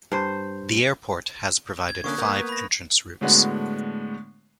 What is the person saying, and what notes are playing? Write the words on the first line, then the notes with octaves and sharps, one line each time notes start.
The airport has provided five entrance routes.
G2 C5
G#6
D3 A#3 C#4 C#6 D#6 F#6
A#3 B3 G6
B5 A#6
A2 D3 G#3 B3 D4 F#4